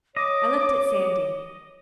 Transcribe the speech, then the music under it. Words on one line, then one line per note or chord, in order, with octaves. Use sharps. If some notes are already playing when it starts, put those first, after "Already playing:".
I looked at Sandy.
C#5 D#5 D6